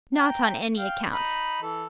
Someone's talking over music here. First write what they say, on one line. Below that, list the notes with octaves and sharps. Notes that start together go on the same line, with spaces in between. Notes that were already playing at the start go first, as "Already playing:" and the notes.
Not on any account.'
G5 A#5
F5 G5
D#4 B5
E3 A4